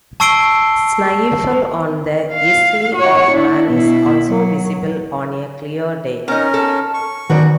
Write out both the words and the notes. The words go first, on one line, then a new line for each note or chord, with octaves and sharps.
Snaefell on The Isle of Man is also visible on a clear day.
A5 C#6 E6 C7 D7 G7
F5
F#4 C#5
D4 E4
B2 E4
F#3
B3 C#4 D#4 A#4
A4
C#6
D#3 F#4 B4 D5